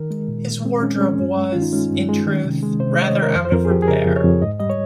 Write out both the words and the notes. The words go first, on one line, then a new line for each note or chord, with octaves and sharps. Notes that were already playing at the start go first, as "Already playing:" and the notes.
His wardrobe was, in truth, rather out of repair.
Already playing: D#3 A#4
G#3
A#2
A#2
G#3 C4
G#3 C#4
G#3 C#4
G2
G#3
D#3 F4
D#4
G#3 C#4
G2
G#3
D#3
C3
G#3
C3 C5
G#3 D#5
C#5
D#3
A#4
F2 C5
C5
F2 A#4
G#4
F3 G4
G#4
C#3 A#4
F2
C#5
F2
G#2 D#5
G3 D#5
C#5